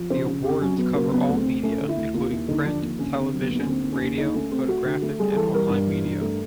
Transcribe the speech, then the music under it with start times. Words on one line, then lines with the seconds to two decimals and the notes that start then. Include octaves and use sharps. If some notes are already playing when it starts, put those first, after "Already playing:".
The awards cover all media including print, television, radio, photographic and online media.
Already playing: F3
0.10 C#3 C5
0.27 C#3
0.44 F2 G4
0.61 F#3 C#4
0.78 F#3 B3
0.94 C#3 A#3
1.12 F#3 B3
1.29 D2
1.37 C4
1.46 D2
1.63 A3 C#4
1.80 D3
1.89 E4
1.97 D2
2.14 D#2 F4
2.31 D#2 E4
2.48 D3 D#4
2.65 F3 D4
2.82 D#2
2.98 D3 C#4
3.15 D3 C4
3.33 F#3
3.41 B3
3.50 D#2
3.59 C#4
3.66 D3 C4
3.83 D#2
3.92 C#4
4.01 D#2
4.17 D3 D#4
4.34 A3 C#4
4.51 A3 C4
4.68 A3 F#4
4.85 D3
5.02 A3
5.19 G3 G#4
5.32 G#4
5.36 E3 A4
5.54 G3 A#4
5.70 G2
5.87 E3
6.05 G2
6.21 A3